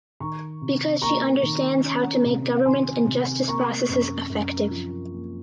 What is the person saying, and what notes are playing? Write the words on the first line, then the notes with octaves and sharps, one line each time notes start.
Because she understands how to make government and justice processes effective.
D#3 A#5 C#6
C3
A#3 A#5 C#6
D#3
C#4
C3
D#3 G#5 C6
C3
A#3 A#5 C#6
F#2
F#2
F3
A#3